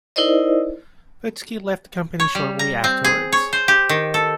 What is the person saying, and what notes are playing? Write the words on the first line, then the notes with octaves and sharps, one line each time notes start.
Putski left the company shortly afterwards.
D#4 E4 A#4 C5 D5 D#5
C#5
G3
A#5
C4
G#4
C#5
C5
G4
D#3
A4